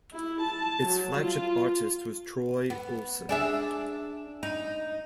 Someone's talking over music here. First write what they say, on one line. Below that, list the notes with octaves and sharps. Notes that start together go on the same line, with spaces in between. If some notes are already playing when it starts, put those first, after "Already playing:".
Its flagship artist was Troy Olsen.
E4
A5
F#3
F4
B3
D4 G#4 E5
D#4